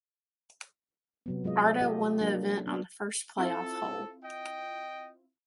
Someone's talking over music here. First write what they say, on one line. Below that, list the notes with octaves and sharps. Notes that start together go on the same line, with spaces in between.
Arda won the event on the first playoff hole.
C3 F#3 B3
F#3 G#3 F4 D#5
F4 G4 A4 D#5
F#3 A#3 D4
B3 D4
C4 E4 F4 A4
D#5 G5